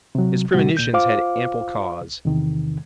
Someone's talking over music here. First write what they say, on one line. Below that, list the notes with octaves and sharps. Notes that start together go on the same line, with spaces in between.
His premonitions had ample cause.
C3 F#3
A2 C3 G3 F#4
C2 A#2 G6
F4 C5 F5 D6
E2 C3 D#3